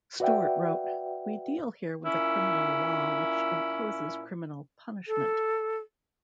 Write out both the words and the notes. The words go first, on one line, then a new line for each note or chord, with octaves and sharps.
Stewart wrote, We deal here with a criminal law which imposes criminal punishment.
F#4 B4 D5 E5 F#5 G5
A#2 C#4 E4
A4